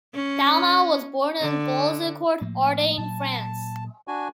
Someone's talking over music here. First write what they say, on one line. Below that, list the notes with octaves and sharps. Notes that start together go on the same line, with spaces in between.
Daumal was born in Boulzicourt, Ardennes, France.
C#4
D3
A2 F3 A#3
A#2 F#3 A5
D4 F#4 G#5